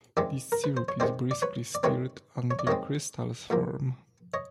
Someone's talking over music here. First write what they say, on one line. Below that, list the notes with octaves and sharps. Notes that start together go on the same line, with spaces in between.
This syrup is briskly stirred until crystals form.
C3 D#3 G#3 C4 D5 E5
A#4
B4
C5
C#5
C3 D#3 G#3 C4 C5 D5
D5
B4 C#5
D5
C3 D#3 G#3 C4 B4 C#5
C#5
D5
C3 D#3 G#3 C4 C#5 D#5
G#2 F3 A#3
C#5 D#5